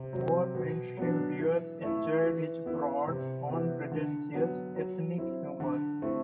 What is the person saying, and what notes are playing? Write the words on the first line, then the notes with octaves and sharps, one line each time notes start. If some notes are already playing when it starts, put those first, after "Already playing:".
More mainstream viewers enjoyed his broad, unpretentious ethnic humor.
Already playing: C3
F#3 C4
B2
F#3 B3 D4
E3
A3 E4
E3
B3 E4
C3
E3 B3
D3
F#3 B3
F#3
C4 E4
D3
A3 C4 E4